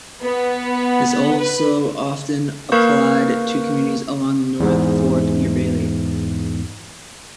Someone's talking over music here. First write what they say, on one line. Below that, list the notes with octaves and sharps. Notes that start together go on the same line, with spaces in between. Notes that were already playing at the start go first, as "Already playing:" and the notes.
It also is often applied to the communities along the North Fork near Bailey.
B3
B4
A#3 A#4 B4 F5 C#6 G6
E2 G#2